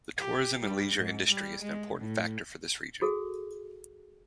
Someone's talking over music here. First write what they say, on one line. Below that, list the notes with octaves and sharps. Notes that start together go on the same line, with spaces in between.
The tourism and leisure industry is an important factor for this region.
G4
G3
G#2
G3
G#3
A2
F#4 G#4 A4